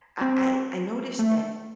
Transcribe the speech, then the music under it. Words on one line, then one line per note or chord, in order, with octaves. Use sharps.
I I I noticed that
C4
A3